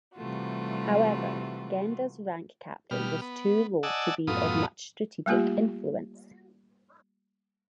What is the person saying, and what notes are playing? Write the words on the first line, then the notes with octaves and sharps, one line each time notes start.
However, Genda's rank-captain-was too low to be of much strategic influence.
C3 E3 G3 A3 F4 F#4
B2 G3 F6
B3
D5 D#5 F#5 G#5 A5 E6
F#2 A2 B3 F4 D#6
G3 A3 A#3 F4 G4